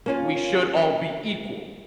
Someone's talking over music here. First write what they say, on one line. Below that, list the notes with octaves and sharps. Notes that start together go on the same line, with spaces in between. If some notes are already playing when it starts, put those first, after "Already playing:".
we should all be equal,
A#3 C#4 F4